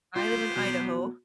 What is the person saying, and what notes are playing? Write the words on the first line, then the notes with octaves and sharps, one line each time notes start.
I live in Idaho,
B3 F4 G4 C5
E2 B2 F#3